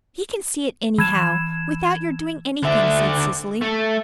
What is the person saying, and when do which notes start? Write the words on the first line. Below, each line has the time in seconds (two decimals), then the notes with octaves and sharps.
"He can see it anyhow, without your doing anything," said Cecily.
0.98 E3 G#6 E7
2.63 D3 E5
3.61 A3